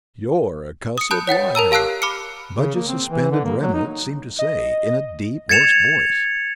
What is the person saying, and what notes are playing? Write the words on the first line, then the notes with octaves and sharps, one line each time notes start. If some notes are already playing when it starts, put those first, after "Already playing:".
"You're a cussed liar!" Budge's suspended remnant seemed to say, in a deep, hoarse voice.
D#6 C#7
A5 B5 D#6 F#6 G6
C#5 F#5 G5 A6
A#4 A5 A#5 E6
G4 F5 A5 E6 F#6 C7
B5 D6 F6 C#7
C#3
A#3
C4
E3
D3
A#3
F#3
D#4
D#5
G#6 A6 C#7 E7 F7